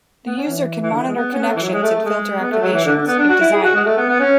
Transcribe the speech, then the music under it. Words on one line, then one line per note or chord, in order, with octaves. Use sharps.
The user can monitor connections and filter activations, if desired.
B3
C#4
E3
E3
D3
E3
G#3
B3
C#4
B3
A3
E3
F#3
G#3
A3
A3
G#3
B3
A3
F#3
E3
D3
D3
B3
D4
F#4
E4
G#4
F#4
G#3
A3
B3
B3
C#4